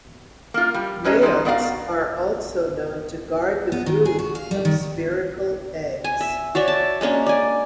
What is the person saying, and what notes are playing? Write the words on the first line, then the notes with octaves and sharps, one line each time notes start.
Males are also known to guard the brood of spherical eggs.
A#3 F4
G3
G2 C#4 B4 C#5 D#5 A#5
E3 G3 G#3 D#4
A3 B3 F#4 D5 F5 A#5
B3
D#3
G#4
F#4
F5
G3
D#3
G#5
E5
F#4 C#5 D5 E5
A5
G#3 A#3 C#4 D4
D5 G#5